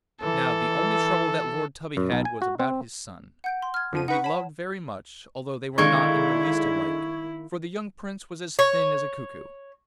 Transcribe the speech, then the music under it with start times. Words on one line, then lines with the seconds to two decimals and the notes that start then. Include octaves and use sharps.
Now, the only trouble that Lord Tubby had was about his son, whom he loved very much, although they were not in the least alike, for the young Prince was as thin as a cuckoo.
0.22 E3 A4
1.97 F#2
2.12 B1
2.25 G#5
2.42 F#4
2.60 C4
3.44 F#5 G6 D7
3.62 C6
3.74 F6 G#6
3.92 F2 F3 D#7
4.08 D#4 B4 F#5 C#6
4.24 C#5 A5 B5
5.78 D3 D#3 G#3 A#3 E4 C#6 G#6
8.59 C#5